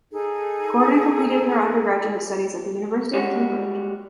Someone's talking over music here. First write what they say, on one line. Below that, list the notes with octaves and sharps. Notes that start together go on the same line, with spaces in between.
Gordon completed her undergraduate studies at the University of Cambridge.
D#4 G#4 A4
G3 G#3 F#4